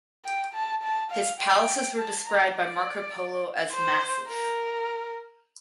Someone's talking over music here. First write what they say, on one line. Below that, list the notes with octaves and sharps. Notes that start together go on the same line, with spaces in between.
His palaces were described by Marco Polo as massive.
G5
A5
A5
F5
G5
A5
A#5
D5
C5
A#4